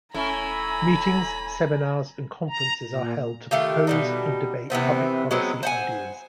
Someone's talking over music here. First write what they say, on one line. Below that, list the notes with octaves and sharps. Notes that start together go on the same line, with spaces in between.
Meetings, seminars and conferences are held to propose and debate public policy ideas.
E1 A3 C#4 E4 G#5 A#5 B5
A#5
A#2
D#3 A3 F4 G4
B2 G3 D#4
C3 E3 B3 C4
F#3 G#3 B3 C4
C5 F#5 G#5